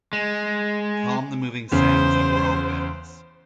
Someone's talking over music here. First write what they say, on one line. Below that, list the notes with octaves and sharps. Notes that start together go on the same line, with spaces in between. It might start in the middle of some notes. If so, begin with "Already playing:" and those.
Calm the moving sands and whirlwinds.
G#3
E2 C#3 C5